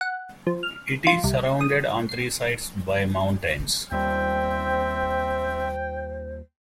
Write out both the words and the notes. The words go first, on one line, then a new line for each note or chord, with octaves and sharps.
It is surrounded on three sides by mountains.
F#5
F3
F6
F4
C2
D#6
C7
D#2 G3 C4 C5 E5 G5